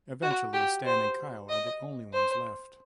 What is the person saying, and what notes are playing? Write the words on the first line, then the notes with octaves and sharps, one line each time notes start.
Eventually, Stan and Kyle are the only ones left.
F#4
G4
C5
D#5
C5